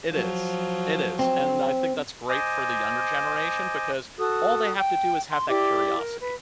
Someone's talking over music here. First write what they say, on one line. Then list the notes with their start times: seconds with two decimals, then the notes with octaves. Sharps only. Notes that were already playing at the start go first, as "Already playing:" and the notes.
It is It is and I think that's great for the younger generation because all they have to do is have that curiosity
0.11 F3 F#3
1.19 C4
2.29 C5 D#5 G#5 D6
4.18 F#4 A4 D#6
4.76 G5
5.31 C6
5.48 E4 G4 D5 D6
5.99 A#4
6.20 B4